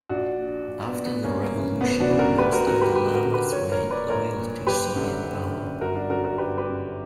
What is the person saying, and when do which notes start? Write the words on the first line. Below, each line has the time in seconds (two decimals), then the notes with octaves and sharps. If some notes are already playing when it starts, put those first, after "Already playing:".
After the Revolution, most of the lamas were loyal to Soviet power.
0.09 A#1 D4 F#4
0.38 A#2
0.67 A#1
0.86 B3 D4
0.95 A#2
1.05 B3
1.24 D2 A#3 C#4
1.43 A#3
1.52 C#3 E3
1.81 D2 B3
2.00 D4 F#4
2.10 C#3 E3
2.19 F#4 A#4
2.38 D2 G4 B4
2.52 F#4 A#4
2.67 D3 F#4 A#4
2.81 G4 B4
2.95 D2 G4 B4
3.14 F#4 A#4
3.24 D3
3.34 G4 B4
3.52 A#1 A#4 C#5
3.72 A#4 C#5
3.81 A#2
3.91 B4 D5
4.10 A#1 A#4 C#5
4.38 A#2
4.67 F#1 G4 B4
4.96 F#2 D3
5.24 F#1
5.52 F#2 D3
5.81 G1 F#4 A#4
5.95 D4 F#4
6.10 F#2 D3 F#4 A#4
6.24 F#4 A#4
6.38 G1 G4 B4
6.58 G4 B4
6.67 F#2 D3